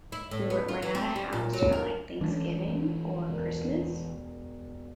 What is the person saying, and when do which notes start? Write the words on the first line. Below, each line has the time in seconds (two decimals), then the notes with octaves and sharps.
we would rent out a house for, like, Thanksgiving or Christmas,
0.12 E4
0.31 A2
0.50 B3
0.68 F4
0.82 E3
0.95 C4
1.16 G3
1.33 A#2
1.53 F#3
1.72 A#4
2.21 E3 G#3 A3 C#4 D4
3.29 E1 A#4